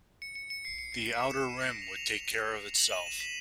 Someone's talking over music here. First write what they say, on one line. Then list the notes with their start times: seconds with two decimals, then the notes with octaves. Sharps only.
The outer rim would take care of itself.
0.22 C#7
0.35 C#7
0.50 C#7
0.65 C7
0.78 C#7
0.93 C7
1.06 B6
1.21 E7
1.35 E7
1.49 D#7
1.61 A#6
1.70 E7
1.82 F7
1.88 E7
1.96 F7
2.78 F#7
2.92 D#7
3.06 E7
3.20 B6